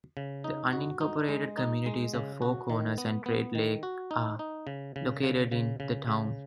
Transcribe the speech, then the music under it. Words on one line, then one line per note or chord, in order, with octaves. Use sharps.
The unincorporated communities of Four Corners and Trade Lake are located in the town.
C#3
D#4
F#4
D#4
G#3
D#4
G#3
C#3
F#4
D#3
B3
B3
D#3
F#4
D#4
D#4
C#3
C#3
C#3
C#3
C#3
C#3